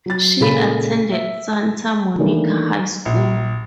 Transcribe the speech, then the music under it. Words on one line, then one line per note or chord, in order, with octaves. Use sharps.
She attended Santa Monica High School.
F#3 A6
A#2 C#3 G#3 A4 B5 B6
E5
D#3 E3 A3 A#3 D4
A#1